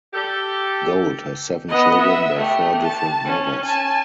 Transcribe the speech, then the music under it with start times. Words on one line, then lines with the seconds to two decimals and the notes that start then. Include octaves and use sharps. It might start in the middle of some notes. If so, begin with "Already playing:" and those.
Gold has seven children by four different mothers.
0.14 G4 A4
1.69 B3 D#5
2.01 E5
2.36 A3 G4
2.83 A5
3.25 C#4
3.65 G#5 A5